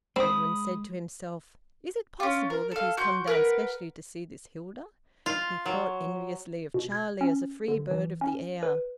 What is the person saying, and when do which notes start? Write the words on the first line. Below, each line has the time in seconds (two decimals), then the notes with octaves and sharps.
Edwin said to himself: "Is it possible that he has come down specially to see this Hilda?" He thought enviously of Charlie as a free bird of the air.
0.16 G#3 C4 B5 D#6
2.20 C#4 F4
2.50 A#4
2.71 A4 F5
2.97 F#4 C6 G6
3.27 A#4 B4 F#5
5.26 F4
5.66 F#3
6.74 B2
6.92 G#6
7.21 C#4
7.68 D3
7.91 E3
8.21 C#4
8.63 B4